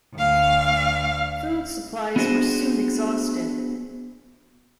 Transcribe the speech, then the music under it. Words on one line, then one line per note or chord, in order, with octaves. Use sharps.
Food supplies were soon exhausted.
D2 F5
B3 D4 F#4 G#4 C5